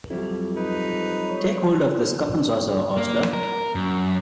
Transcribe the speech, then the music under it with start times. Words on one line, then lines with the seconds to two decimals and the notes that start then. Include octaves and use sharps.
Take hold of this cup and saucer, ostler.
0.10 F2 F#3 G3 E4
0.56 D#4 B4
2.97 A#3
3.33 A#4
3.75 F#2